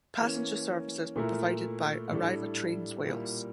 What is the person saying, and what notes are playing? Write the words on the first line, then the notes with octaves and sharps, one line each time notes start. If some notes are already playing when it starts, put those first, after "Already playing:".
Passenger services were provided by Arriva Trains Wales.
E3 A#3 C#4
A#2 A3 E4 A#4
A2 G3 D4 A4
A#2 G3 A#3 E4